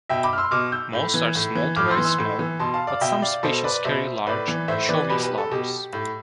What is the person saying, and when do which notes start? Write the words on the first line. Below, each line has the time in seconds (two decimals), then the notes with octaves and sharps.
Most are small to very small, but some species carry large, showy flowers.
0.09 B2 E5 G5
0.24 B5 D6
0.33 F6
0.38 C6 E6
0.51 B2 D6 F6
0.72 E6 G6
0.93 A2
1.14 E3
1.35 A2
1.55 E3
1.76 A2 D6 F6
1.90 C6 E6
1.97 E3
2.04 C6 E6
2.18 A2
2.39 E3
2.59 B2 A5 C6
2.74 F5 A5
2.87 D5 F5
3.01 B2 E5 G5
3.22 D5 F5
3.43 B2 A4 C5
3.64 B4 D5
3.85 B2 C5 E5
4.27 A2 B4 D5
4.48 E3
4.68 A2 C5 E5
4.89 E3 B4 D5
5.09 B2 G4 B4
5.23 G4 B4
5.38 A4
5.51 B2 G4
5.93 A2